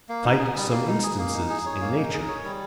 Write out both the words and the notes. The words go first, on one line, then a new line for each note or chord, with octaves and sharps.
Cite some instances in nature.
A#3
D#4
G#4
G3
A#3
D#4
G#4
A#3
D#4
G#4
C#5
A#3
D#4
G#4
C#5
G3